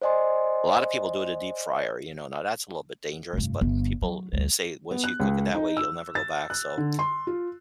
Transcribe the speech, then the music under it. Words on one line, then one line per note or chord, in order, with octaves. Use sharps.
A lot of people do it in a deep fryer, you know? Now that's a little bit dangerous, but people, eh, say once you cook it that way, you'll never go back, so,
C5 D5 D#5 G#5 C6
F1 G2
G1
F#3
D2 G3
B3
F#6
C#2
D#4
E6
A6
F#6
D3
C6
F4